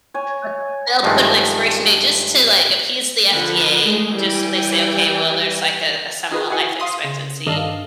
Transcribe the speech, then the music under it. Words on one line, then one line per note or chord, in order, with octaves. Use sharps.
but they'll put an expiration date just to, like, appease the FDA just so they say, "Okay, well, there's, like a, somewhat life expectancy."
C#5 G#5
G2 D#3 F3 G#3 A3
D3 F3 A#4 F#5 B5
G#3 A3
E3 G3 G5 G#5
D#4 F4 G#4 B4
E4 F#4 G#4 F#5 G#5
F5 C6 D#6
C#3
G2 D#3 D4 A4 D#5 F5